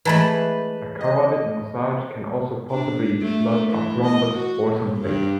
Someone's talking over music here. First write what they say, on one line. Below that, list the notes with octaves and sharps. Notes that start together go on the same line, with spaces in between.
A carotid massage can also possibly dislodge a thrombus, or some plaque.
E3 G#3 A3 B4 A5 B5
D#5
D4
A3
E3
D#5
F#4
A#2
G2